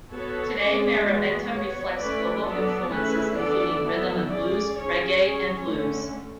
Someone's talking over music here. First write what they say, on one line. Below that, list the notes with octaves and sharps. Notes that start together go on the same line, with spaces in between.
Today, Marrabenta reflects global influences, including rhythm and blues, reggae, and blues.
B3 F#4 A4 C#5
G#3 C#4 G#4 D5
E3 G#3 B3 F#4
B3 F#4 C#5
A3 C#4 E4 B4 D5
F#3 B3 D4 A4 D5
A3 C#4 E4 G#4 B4
E3 B3 D4 A4 D5
F#3 B3 E4 A4
C#4 G#4 D5
C#4 G#4 C#5
C#4 G#4 C#5
D3 A3 C#4